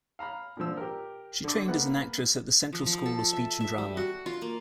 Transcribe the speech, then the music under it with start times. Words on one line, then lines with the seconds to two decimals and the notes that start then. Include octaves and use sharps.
She trained as an actress at the Central School of Speech and Drama.
0.19 F5 A#5 B5 F6
0.57 A#2 D3 F3 E6
0.77 G4 A#4
1.44 D3 D6
1.68 G#3 A#3 B3 F#5
2.73 F3
2.86 F3
3.06 A4
3.33 E5
3.61 E5
3.78 G3
3.97 F#4
4.26 F4
4.42 A#3